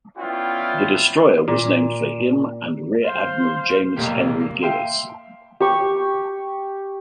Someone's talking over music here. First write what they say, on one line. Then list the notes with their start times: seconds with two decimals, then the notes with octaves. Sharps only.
The destroyer was named for him and Rear Admiral James Henry Gillis.
0.17 B3 C#4 E4 F4 D5 G5
1.48 A#2
3.03 C5 F5
3.96 F1 B1 A#2 A#3 G4
4.40 A#3
4.62 E5 F5 G5 C6
5.60 G4 C#6